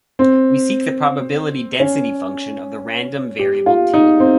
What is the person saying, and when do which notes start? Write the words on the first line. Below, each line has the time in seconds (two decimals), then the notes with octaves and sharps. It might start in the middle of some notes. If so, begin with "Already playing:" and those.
We seek the probability density function of the random variable "T".
0.19 C4
1.80 C#4
3.39 G4
3.66 F4
3.94 D#4
4.20 C4